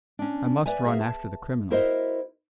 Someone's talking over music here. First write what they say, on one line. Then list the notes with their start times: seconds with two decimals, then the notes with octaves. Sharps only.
I must run after the criminal.
0.19 C#4 D4
0.66 B4 D5 E5 G#5
0.85 F#4 G#4 A#4 C5 E5 F5
1.01 A5
1.71 E4 F#4 A#4 C5 D#5 E5